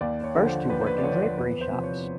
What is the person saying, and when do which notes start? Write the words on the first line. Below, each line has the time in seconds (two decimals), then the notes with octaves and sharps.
The first two work in drapery shops.
0.01 D#2 D5
0.24 C#5
0.35 D3 F3
0.47 C5
0.69 D#2 B4
0.81 C5
0.86 B4
0.98 D5
1.03 D3 F3 C#5
1.12 D5
1.21 C#5
1.38 E2 B4
1.61 C5
1.72 C3 F3
1.83 C#5